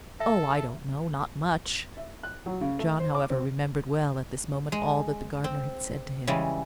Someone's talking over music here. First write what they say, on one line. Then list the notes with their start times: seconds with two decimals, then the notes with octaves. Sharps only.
"Oh, I don't know; not much." John, however, remembered well, at this moment, all that the gardener had said to him.
0.20 A4 E5
1.97 E5
2.23 F#6
2.46 F#3
2.61 C#3
2.79 A3
3.00 C5
3.15 D6
3.30 C4
4.72 G#3
5.44 C4
6.27 C#3 E3 G3 G#3